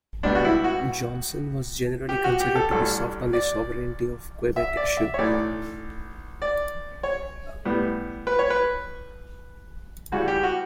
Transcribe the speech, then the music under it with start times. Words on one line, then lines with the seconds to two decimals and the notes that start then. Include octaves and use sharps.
Johnson was generally considered to be soft on the sovereignty of Quebec issue.
0.23 C#2 B2 G3 B3 D4
0.35 F#4
0.45 E4
0.64 F#4
2.09 G4
2.24 F#4
2.40 G4
2.55 A4
2.71 A1 G2 F#3 A4
3.33 D5
4.56 E5
4.77 D5
4.97 E5
5.14 C#5
5.18 B1 A2 E3 A3 D5
6.42 D5
7.03 C#5
7.65 A2 G3 B3
8.27 B4
8.39 C#5
8.50 B4
10.12 E2 C#3 G3 F#4
10.28 G4
10.43 F#4